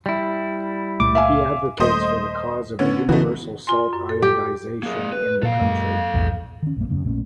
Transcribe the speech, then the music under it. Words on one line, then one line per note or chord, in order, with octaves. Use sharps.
He advocates for the cause of the universal salt iodization in the country.
G3 E4
C#2 A#2 A3 D6
E5 F5 G#5
D#1 A3 C5 D#5
D3 B3 C#4
C#3 E3 A3 B3 D#4 F#4
F4 G#5 C6
F#2
A4
G4
A#3 G#4
B4
A#2 A4 F5
F#2 G#3 A#3
A#1 E2 G#2
D#3 C#4
A#1 F#2 A3 A#3
D#1 F#2 C#3 C#4
A#1 A#2 A3 C#4